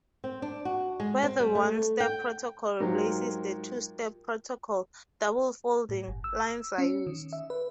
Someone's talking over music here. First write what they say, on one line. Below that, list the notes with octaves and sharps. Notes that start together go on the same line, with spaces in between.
Where the one step protocol replaces the two-step protocol, "double folding" lines are used.
C4
D4
F#4
G#3
C4
G3
A3
G5
G#2 F#3 F4 G4 A#4
A2
G1
E6
C#4
D#3
E5
B4